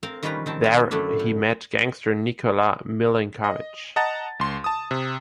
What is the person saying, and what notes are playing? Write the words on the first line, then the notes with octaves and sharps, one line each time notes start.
There he met gangster Nikola Milinkovich.
C4 A#4 C5 F5
D#3 G3 C#4 F4 B4 A#5
D#3 C4 A5
C4 B4
F#2 D3 A3 D4 E4
A2
D#5
D#5 F#5 A5 A#5 A6
C#2 C6
A5 D#6
C3